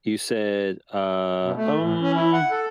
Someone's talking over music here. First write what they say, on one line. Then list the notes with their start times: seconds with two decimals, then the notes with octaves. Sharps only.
You said, uh, um
1.43 B2
1.56 A3
1.79 A2
2.01 C#4
2.15 E4
2.33 F#5
2.51 A4